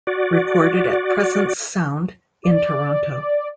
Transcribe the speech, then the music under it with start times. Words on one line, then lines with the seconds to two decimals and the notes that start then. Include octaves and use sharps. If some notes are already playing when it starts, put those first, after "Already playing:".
Recorded at Presence Sound in Toronto.
0.07 F#4 D5
2.44 D5